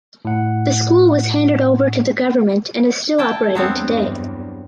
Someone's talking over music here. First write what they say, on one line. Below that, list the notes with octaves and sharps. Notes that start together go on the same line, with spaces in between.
The school was handed over to the Government and is still operating today.
A2 F#5
E4 G5 A5
E2 G2 F#3 B3 C4